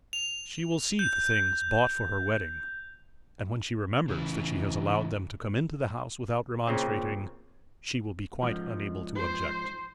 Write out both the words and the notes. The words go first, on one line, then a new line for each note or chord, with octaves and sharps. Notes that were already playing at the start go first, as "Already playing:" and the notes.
She will see the things bought for her wedding, and when she remembers that she has allowed them to come into the house without remonstrating, she will be quite unable to object.
F7
G6
C#3 E3
A#2 C#3 C4
G#2 F3
C5